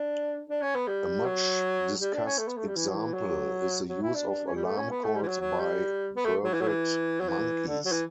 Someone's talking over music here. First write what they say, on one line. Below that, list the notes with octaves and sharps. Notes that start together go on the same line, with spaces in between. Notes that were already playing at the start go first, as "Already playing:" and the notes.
A much discussed example is the use of alarm calls by vervet monkeys.
Already playing: D4
D4
C#4
B3
G3
F#3
G3
D4
C#4
A3
B3
A3
G3
E3
F#3
E3
F#3
F#3
E4
D4
D4
C#4
G3
A3
C#4
B3
A3
G3
E3
F#3
F#3
G3
B3
A3
F#3
E3
F#3
E3
F#3
E3
D3
F#3
E3